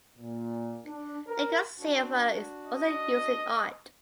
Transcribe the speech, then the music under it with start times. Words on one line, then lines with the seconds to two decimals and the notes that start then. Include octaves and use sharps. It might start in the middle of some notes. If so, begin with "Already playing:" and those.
Nickel silver is also used in art.
0.17 A#2
0.85 D4
1.27 A#4
1.78 D4 F#4
2.66 D#5